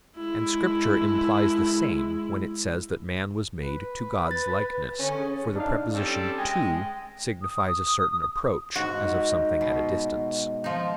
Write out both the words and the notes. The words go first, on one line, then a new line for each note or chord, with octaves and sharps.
And Scripture implies the same when it says that man was made "to" God's likeness; for the preposition "to" signifies a certain approach, as of something at a distance.
G#3 E4
B4
A6
D3 C#4
G#4
D4 D#4 F5
G3 C4 C#4 A4
G#3 D#5 G5 G#5
D#6
G#2 F#4
B2
F3 D#4